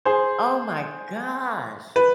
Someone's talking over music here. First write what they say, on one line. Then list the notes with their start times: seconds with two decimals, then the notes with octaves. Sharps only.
Oh my gosh.
0.05 G#4 C5
1.96 B4